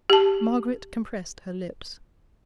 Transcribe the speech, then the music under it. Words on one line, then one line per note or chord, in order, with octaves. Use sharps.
Margaret compressed her lips.
G4 A5